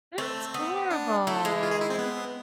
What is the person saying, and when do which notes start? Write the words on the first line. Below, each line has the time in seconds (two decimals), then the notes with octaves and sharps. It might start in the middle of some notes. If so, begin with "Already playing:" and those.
That's horrible.
0.18 A3 C4
0.54 B3
0.90 D4
1.27 A3 E4
1.45 G#3
1.63 F4
1.71 G#4
1.81 E4
1.90 C4
1.99 B3